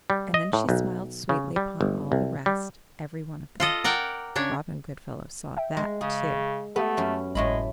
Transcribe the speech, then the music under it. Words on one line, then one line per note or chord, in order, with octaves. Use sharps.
And then she smiled sweetly upon all the rest, every one of them. Robin Goodfellow saw that, too.
G3
D#5
A2
B1
C#3
G3
G1
C2
G3
F4 A4 D#5
A#4 D5 F#5 G5
C#3 D4 C#5
E5 G5
G#3
C#3 G#4
A3 B3 G4 A4 E5
F#2 C#4
G#1 A2 G#3 A3 B5